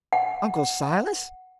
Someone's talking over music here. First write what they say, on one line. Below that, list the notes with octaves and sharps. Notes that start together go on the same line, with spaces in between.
Uncle Silas?
F#5